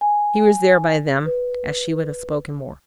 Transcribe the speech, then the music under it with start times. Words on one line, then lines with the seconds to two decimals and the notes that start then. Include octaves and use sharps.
He was there by them as she would have spoken more.
0.01 G#5
1.26 B4